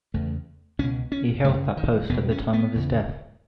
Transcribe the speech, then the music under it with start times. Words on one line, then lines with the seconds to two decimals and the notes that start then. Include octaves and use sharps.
He held that post at the time of his death.
0.14 E2 C#3 A3
0.79 C#2 B2 C#4
1.12 C#4
1.44 F#2 C#3 A3
1.77 D#3
2.09 E2 B2 B3
2.31 C#4
2.53 B3
2.75 E2 C#3